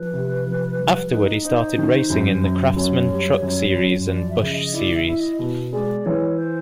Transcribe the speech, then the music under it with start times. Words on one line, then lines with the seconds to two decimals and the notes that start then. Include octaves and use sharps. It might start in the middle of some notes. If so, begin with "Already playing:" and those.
Afterward, he started racing in the Craftsman Truck Series and Busch Series.
Already playing: F3 B4
0.13 C3
0.46 F3
0.78 G3
1.11 D#4
1.45 D#4 C5
1.78 D#3
2.10 F#2
2.43 F#2
2.76 F#2 C#5
3.09 G3
3.42 F#2
3.75 F#2
4.08 F3 D5
4.30 E5
4.41 C#3
4.52 D#5
4.74 E4 D5
4.95 E5
5.07 E4
5.18 D#5
5.39 B2
5.73 G#3 D5
6.05 E3 C#5
6.38 C5